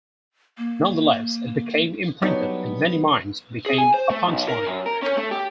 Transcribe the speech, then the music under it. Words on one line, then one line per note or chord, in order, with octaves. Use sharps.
Nonetheless, it became imprinted in many minds and became a punch line.
A#3
F#3 G3 B3 D4 D#4 C#5
G#4
G#5
C5
A3
B1
A#4
F#2
A#4
C#4
A3
G4